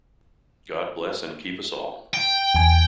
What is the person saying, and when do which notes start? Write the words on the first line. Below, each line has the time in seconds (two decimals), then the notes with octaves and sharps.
God bless and keep us all!
2.14 G5
2.55 E2 G#5